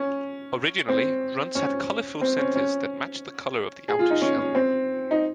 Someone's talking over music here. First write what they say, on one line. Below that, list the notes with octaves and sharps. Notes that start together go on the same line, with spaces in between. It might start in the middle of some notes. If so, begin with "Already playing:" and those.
Originally, Runts had colorful centers that matched the color of the outer shell.
Already playing: C#4
C4
C#4
C4
C#4
C#4
G#4
F4
D#4
C#4
C#4
C4
D#4